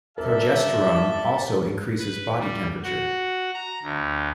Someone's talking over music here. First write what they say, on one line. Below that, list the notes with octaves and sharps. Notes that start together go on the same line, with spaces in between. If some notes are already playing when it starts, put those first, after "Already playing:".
Progesterone also increases body temperature.
G2 A4 A#4 D5 E5
B4
G3
F#4
A#5
D2